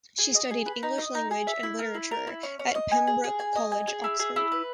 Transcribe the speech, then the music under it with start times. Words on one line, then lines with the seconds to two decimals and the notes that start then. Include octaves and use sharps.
She studied English language and literature at Pembroke College, Oxford.
0.18 G#4
0.35 D#5
0.51 G#4
0.66 B4
0.83 D#4
0.98 D#5
1.15 D#4
1.31 G#4
1.47 E5
1.63 E4
1.79 A#4
1.94 E4
2.11 A#4
2.27 E4
2.43 C#4
2.59 C#4
2.75 D#5
2.92 G#5
3.07 G#4
3.24 G#4
3.40 G#5
3.56 D#5
3.72 G#5
3.87 G#4
4.04 E4
4.19 G#4
4.36 E4
4.52 B4